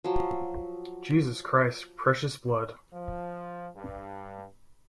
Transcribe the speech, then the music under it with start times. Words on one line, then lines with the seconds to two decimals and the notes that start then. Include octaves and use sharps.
Jesus Christ, Precious blood!
0.04 F3 F#3
2.93 F3
3.76 G2